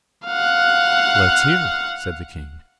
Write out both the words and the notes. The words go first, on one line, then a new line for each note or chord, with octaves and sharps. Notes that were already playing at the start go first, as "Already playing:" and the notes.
"Let's hear," said the king.
F5 F#5